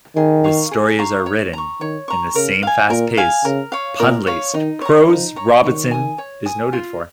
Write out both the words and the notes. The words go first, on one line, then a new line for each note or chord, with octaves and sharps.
The stories are written in the same fast-paced, pun-laced prose Robinson is noted for.
D#3 G#4
F5 A#5 C#6
G#4
F5 A#5 C#6
C#5
A#5 C#6
D#3 C#5
A#5 C#6
C#3 A#4
F5 G#5
A#2 A#4
F5 G#5
C#3 A#4
C#5 F5
A#2 A#4
C#5 F5
D#3 D#4
C#5 A#5
F3 D#4
C#5 A#5
D#3 C#5
G#5 D#6
C#5
G#5 D#6
F4